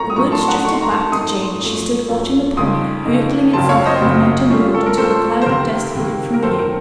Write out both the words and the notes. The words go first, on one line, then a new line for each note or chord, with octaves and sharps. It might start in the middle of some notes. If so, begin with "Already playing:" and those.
The words drifted back to Jane as she stood watching the pony hurtling itself down the mountain road until the cloud of dust hid it from view.
Already playing: A2 F#3 A3 C#4 F4 A#5 C#6
D#6
A2 F#3 A3 C#4 F4 A#5 C#6
A5 C6
F#5 A#5
A2 A3 D#4 C#6
C6
A#5
A5 C6
A2 A3 D#4 C6 D#6
F#2 F3 A3
F#2 F3 A3
F2 C#3 A3 D#4 C6 D#6
F2 C#3 A3 D#4
F#1 F2 C#3 F#3 C4 A5 C6
C#5 F5
C5 D#5
F#1 F2 C#3 F#3 C4
A#2 A3 C#4 F4
A4
A#4
A#2 A3 C#4 F4 A4 C5
C5
C#2 C3 D#3 A#3 A#4
C#2 C3 D#3 A#3
A#4
F#2 D#3 F#3 C4 A4 C5
A#4